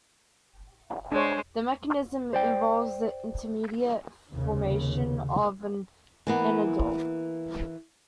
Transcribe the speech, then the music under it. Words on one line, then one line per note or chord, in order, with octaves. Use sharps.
The mechanism involves the intermediate formation of an "enediol".
G#3 D4 C5 C#5
C5 D5 G5
F1 D#2 C#3
E3 A#3 B3